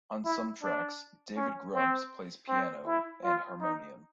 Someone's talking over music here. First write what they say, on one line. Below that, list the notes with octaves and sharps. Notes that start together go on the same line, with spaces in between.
On some tracks David Grubbs plays piano and harmonium.
E4
D4
C#4
C4
C4
E4
F4
D#4